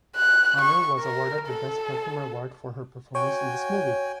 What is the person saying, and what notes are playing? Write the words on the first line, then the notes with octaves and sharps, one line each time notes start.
Aunor was awarded the Best Performer award for her performance in this movie.
F#6
C#6
A#4
A4
F#4 C#5 G5 G#5